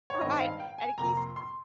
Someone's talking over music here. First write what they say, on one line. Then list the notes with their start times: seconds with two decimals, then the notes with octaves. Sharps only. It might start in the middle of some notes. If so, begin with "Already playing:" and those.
Right? And he Keith's
0.10 C#5
0.21 G2 D#3 G#3 C4 D#5
0.40 F5
0.60 G5
0.78 G#5
0.98 F2 C3 F3 A#3 A#5
1.09 A#5
1.17 C6
1.36 C6